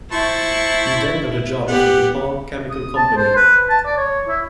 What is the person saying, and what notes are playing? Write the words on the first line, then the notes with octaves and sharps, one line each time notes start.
He then got a job with the DuPont chemical company.
E4 C5 A5 C#6
B3 G4 F#5
D#6
A5
C5
B4
A5
D5
C#5
E4